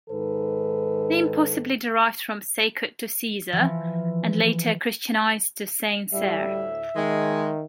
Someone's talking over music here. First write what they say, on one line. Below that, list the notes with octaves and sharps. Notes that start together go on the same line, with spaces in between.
Name possibly derived from "Sacred to Caesar" and later Christianized to "Saint-Cere".
G#2 D#3 A4 B4
E3 F3
D2 A2 G3 E5
D#3 G#3